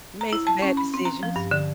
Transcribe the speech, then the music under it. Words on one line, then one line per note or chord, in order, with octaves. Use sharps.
Made some bad decisions.
A#5
E4
A5
C#4
B5
C4
A#5
F3
G2
D3